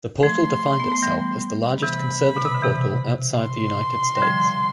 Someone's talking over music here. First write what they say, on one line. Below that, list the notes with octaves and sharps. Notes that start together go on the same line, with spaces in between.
The portal defined itself as the largest conservative portal outside the United States.
F3 A3 C6
B3
A3
E3 G3
C3 E3 B5
B2
C3
D3
C3 E3
C6
G3
D3 F3